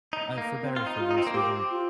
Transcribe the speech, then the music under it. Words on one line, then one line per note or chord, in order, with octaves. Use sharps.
uh, for better or for worse, we weren't,
D#4
A#3
C4
F4
D#4
F4
D#4
C4
A#3
C4 G4
F4